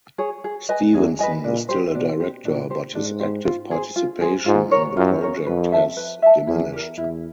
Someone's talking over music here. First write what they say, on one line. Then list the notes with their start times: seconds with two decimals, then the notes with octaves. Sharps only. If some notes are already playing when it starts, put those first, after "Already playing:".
Stevenson is still a director, but his active participation in the project has diminished.
0.18 G#4 C#5
0.44 G#4
0.69 B4 D#5 G#5
0.94 E2 G#4
1.19 B4 D#5 G#5
1.44 A#2 D4
1.69 G4 C5
1.95 B2 D4
2.20 G4 C5
2.45 A#2 D4
2.70 G4 C5
2.95 G#2 D4
3.20 G4 C5
3.45 F4
3.71 G#4 C5
3.96 F4
4.21 G#4 C5
4.46 G#2 F4
4.71 A#4 C#5
4.96 F#2 F4
5.21 A#4 C#5
5.47 F2 B4
5.72 E5 A5
5.97 B4
6.22 E5 A5
6.47 E2 E4
6.73 G4 A#4
6.97 E2 E4